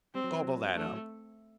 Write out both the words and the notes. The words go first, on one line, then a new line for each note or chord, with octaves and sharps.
"Gobble that up."
G3 C4
F#3
E3
F#3
C4
A3 D4
E3
F#3
A2